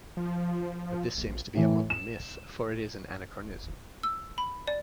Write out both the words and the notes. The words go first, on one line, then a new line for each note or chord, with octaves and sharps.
But this seems to be a modern myth, for it is an anachronism.
F3
A#1
A2 E3
E7
E6
B5
D5